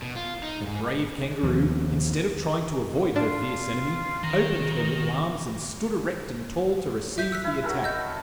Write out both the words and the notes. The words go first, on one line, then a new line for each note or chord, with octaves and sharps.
The brave Kangaroo, instead of trying to avoid her fierce enemy, opened her little arms, and stood erect and tall to receive the attack.
B2
F4
D#4
G#2
D#2 F3
D4 F4
D#3 A#5
E5 G6 B6
E6 F#6 B6
E4
F#3 A4 A#4
D#5 G6